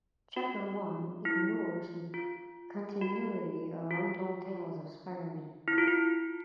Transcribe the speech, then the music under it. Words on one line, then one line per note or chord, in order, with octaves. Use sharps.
"Chapter One" ignores the continuity of "Untold Tales of Spider-Man".
F#4
E4
F4
F#4
F4
E4
F4
E4